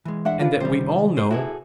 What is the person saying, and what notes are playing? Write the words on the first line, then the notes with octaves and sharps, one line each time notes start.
And that we all know.
E3 G#3
D4 E5 F#5
D4 F4 B4
C3 D#3 G3 C5
C5
E4 F#4 G#4 A4